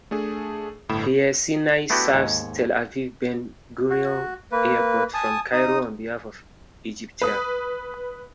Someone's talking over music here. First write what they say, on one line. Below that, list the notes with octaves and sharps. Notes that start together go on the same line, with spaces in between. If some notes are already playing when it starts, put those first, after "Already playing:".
Air Sinai serves Tel Aviv-Ben Gurion Airport from Cairo on behalf of Egyptair.
A3 D4 G#4
G1 A2 B5 E7
A3 B3 D4 E4 F#4 G4
D#2 G#2 C#5
F#4
A#3 B4
G#5 A5 D#6
D#4 D#6
B4 D#6